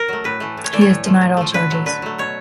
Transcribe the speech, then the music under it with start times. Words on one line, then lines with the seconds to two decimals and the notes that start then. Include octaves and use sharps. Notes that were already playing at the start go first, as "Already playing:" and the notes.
He has denied all charges.
Already playing: A#4
0.08 F#3 A3
0.24 A2 B4
0.40 E3 A3
0.57 A2
0.64 C#5
0.73 E3 A3 D5
0.81 C#5
0.90 A2
1.05 F3 A3
1.21 A2
1.37 F3 A3
1.54 D3 B4
1.70 F#3 A3
1.86 D3 B4
2.02 F#3 A3
2.18 B2 C#5